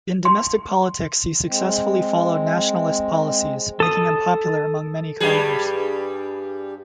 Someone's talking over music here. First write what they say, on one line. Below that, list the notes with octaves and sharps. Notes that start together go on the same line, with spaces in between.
In domestic politics he successfully followed nationalist policies, making him popular among many commoners.
C6
G#3 C4
A4 D#6
G2 G3 G#4